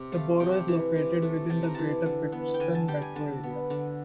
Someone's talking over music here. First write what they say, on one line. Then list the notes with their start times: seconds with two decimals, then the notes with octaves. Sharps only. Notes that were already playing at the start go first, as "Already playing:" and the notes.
The borough is located within the Greater Pittston metro area.
Already playing: C3
0.12 A3 F5
0.40 C3 G5
0.68 E3
0.96 C3
1.22 A3
1.50 C3 A5
1.63 A#5
1.75 E3 A5
2.06 D3
2.32 B3
2.54 G5
2.60 D3 G#5
2.75 A5
2.88 G3 G5
3.02 G#5
3.16 D3 A5
3.43 B3
3.70 D3